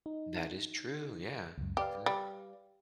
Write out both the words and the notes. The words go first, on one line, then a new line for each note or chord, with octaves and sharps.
That is true, yeah, mhm.
D#4
C#2 F#2
G4 B4 D5 F5
G3